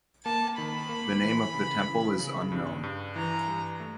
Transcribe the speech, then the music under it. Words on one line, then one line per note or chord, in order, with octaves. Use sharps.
The name of the temple is unknown.
A#3 A5
D#3 B5
A#3
E3
C#3
E3
C#3
G2
G2
E3 A#5
G2
A3